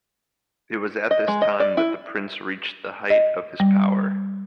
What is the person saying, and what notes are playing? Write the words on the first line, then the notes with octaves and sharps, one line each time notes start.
It was at this time that the prince reached the height of his power.
D#5
G#3
D#5
D5
E4
D#5
G3